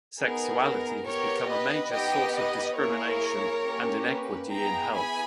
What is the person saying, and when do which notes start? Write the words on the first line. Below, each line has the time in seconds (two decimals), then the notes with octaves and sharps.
Sexuality has become a major source of discrimination and inequity in health.
0.20 B3 D#4 G#4 A#4
0.63 A#4
1.06 B3 G4 A#4 C#5
1.49 B4 D#5
1.92 B3 D#4 G4 D#5 G5
2.35 B4 D#5
2.78 A#3 E4 G#4 A#4 C#5
3.64 A#3 C#4 G4
4.07 B4
4.50 B3 E4 G#4 G5 A#5
4.93 G#5 B5